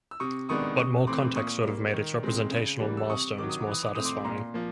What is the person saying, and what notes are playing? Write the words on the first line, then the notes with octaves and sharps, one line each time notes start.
But more context would have made its representational milestones more satisfying.
E6
C3 C#6 D#6
D#3 G#3 B3 D4 C#6 D#6
C3 C#6 D#6
E3 A3 C4 C6 D6
A#2 C#6 D#6
G3 A#3
D#3
G#3 C4
C#3
E3 G3 A#3
E6
C3 C#6 D#6
D#3 F#3 D6
D#6
D6
E3 D#6
D6
A3 C4 D#6
C6 D6
A#2 A#5 C6
F3 A#3